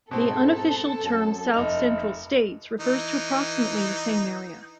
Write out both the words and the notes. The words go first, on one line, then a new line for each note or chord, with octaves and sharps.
The unofficial term South Central States refers to approximately the same area.
G#2 B2 C4 A4
F#2
F1 D#4 D#5 F7
E3 D#4